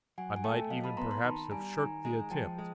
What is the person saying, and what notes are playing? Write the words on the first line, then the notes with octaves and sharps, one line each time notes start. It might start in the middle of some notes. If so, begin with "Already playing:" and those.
I might even perhaps have shirked the attempt.
F#3 F#5 G#5
G#5
A3 G5 A5
F#3 D#5 F5
A5 B5
B3 A#5 C6
A#5 C6
D#3 A5 B5
G3 G#5 A#5
D#3 G#5 A#5
G#3 G#5 A#5
F3 G5 A5
G#3